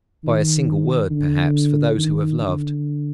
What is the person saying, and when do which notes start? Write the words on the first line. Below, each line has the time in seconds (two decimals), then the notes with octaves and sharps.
By a single word, perhaps, for those who have loved.
0.24 D#3
1.10 D3
1.97 D#3
2.40 D3